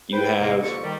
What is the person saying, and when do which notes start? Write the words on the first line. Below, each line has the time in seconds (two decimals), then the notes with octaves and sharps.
you have
0.13 B4 C5 G5
0.39 E2 C3 A#3
0.62 F2 D3 A#3 G4 A4 C#6
0.84 D#3 G3